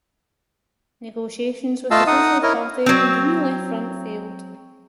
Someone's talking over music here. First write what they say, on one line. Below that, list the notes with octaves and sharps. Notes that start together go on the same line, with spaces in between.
Negotiations with the Socialist Party and the new Left Front failed.
A3 F4 D#5 F5 A5 E6
D#4 F#5 D#6
E4 A#4 C#5 D#5
F#3 C4